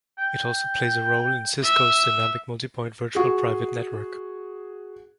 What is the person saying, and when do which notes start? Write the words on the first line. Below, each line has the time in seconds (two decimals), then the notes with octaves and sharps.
It also plays a role in Cisco's Dynamic Multipoint Virtual Private Network.
0.18 G5
1.63 E5
3.15 F#4 G#4